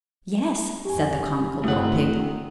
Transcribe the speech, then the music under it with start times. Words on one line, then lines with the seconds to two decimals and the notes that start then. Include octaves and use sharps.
"Yes," said the comical little pig.
0.85 F2 G4 G#5
1.64 G1 D#3 A3 C4 E4 F#4 F#5 D#6